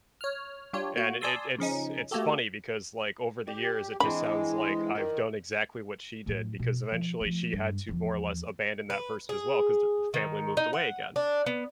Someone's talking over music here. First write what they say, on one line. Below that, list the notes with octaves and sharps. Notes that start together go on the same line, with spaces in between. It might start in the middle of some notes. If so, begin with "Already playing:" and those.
And i i it's it's funny because, like, over the years, it just sounds like I've done exactly what she did because eventually she had to, more or less, abandon that person as well, 'cause the f family moved away again.
C#5 F6
G3 D4 F4 G4 C#5
A#3 F#4
D5 G#5 A5 C6 D#6 E6
C#3 F3 C#4 D#4
A3 A#3 F#4 G4 A4
G4 D5
E3 G#3 C4 D4 B5
D#3 D5
A2 F#3
B2
F3
F3 A3
G2
E2 F3
B4
G#4
D#3
D#4
F#5
D4
B3